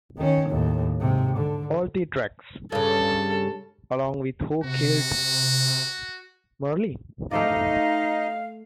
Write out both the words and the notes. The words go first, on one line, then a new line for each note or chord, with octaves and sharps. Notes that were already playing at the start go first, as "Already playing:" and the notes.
All three tracks, along with Who Killed Marilyn?
D#3 C#4
D#2 A2
G#2 C3
D3
G2 C#3 A4
C3 F#4
A3 D#4 C5 D5 D#5 F5